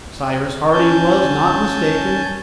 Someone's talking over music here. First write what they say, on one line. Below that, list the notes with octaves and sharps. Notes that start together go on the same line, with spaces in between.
Cyrus Harding was not mistaken.
C#4 G#5 A5 G6